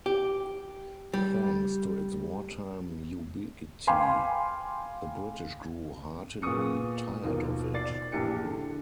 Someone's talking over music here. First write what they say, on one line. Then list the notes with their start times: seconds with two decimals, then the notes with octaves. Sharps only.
Thanks to its wartime ubiquity, the British grew heartily tired of it.
0.06 G4
1.14 G3
3.87 F5 G5 G#5 B5 C6 D6
6.42 A#2 B3 G#4 C#6 D#6 C#7
7.23 D#2 B2 F3 A#3
7.74 D5 A6 C7
8.12 A#1 E2 G4 C#7
8.43 D3